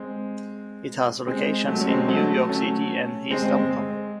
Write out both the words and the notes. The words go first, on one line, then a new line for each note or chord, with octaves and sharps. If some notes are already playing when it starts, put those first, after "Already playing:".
It has locations in New York city and East Hampton.
Already playing: G#3 C4
G#3 C4
F#3 A3
C#4
G#3 C4
F#3 A3
A3 C#4
G#3 C4
G#3 C4
G#3